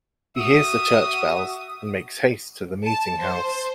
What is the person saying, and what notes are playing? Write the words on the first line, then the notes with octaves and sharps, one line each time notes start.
He hears the church bells and makes haste to the meeting house.
F#4 E5 D#6
A5
C5